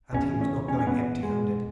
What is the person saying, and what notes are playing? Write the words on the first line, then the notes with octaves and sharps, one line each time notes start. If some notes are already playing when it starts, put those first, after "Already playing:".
And he was not going empty-handed.
E2 B2 C#4
C#4
C#4
C#4
E2 B2 B3
G#3